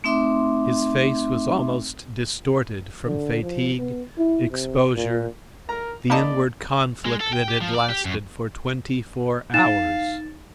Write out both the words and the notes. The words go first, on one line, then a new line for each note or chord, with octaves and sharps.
His face was almost distorted from fatigue, exposure, the inward conflict that had lasted for twenty-four hours.
A3 C4 D#4 E5 C6 D6
D3
F3
B3
E4
C3
A#2
A#4 A#5
A#3 D#4 D5 D#5 A5 B5
G#3
A4
G5
G4
F3
D5
G4
F#2
D#4 F5 A6 E7